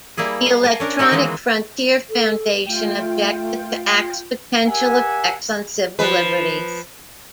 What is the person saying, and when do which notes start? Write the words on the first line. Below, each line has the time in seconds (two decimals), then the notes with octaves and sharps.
The Electronic Frontier Foundation objected to Act's potential effects on civil liberties.
0.17 G3 A#3 E4 G#4
0.46 F5
0.64 A#4 G#5 A5
0.80 C#4 D4 A#4
0.99 D#4 F#4 G4 F5
1.11 D#3 E3 G#3 A#3 C4
2.10 A4
2.65 A3 F4 G5
4.66 G4 A#4 E5 F#5 G#5
5.99 F3 B4